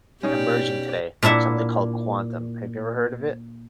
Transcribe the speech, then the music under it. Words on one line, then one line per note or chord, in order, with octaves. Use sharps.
emerging today, something called quantum. Have you ever heard of it?
B2 C#4 D#4 G4 D5
A#2 D4 E4 E5 F#5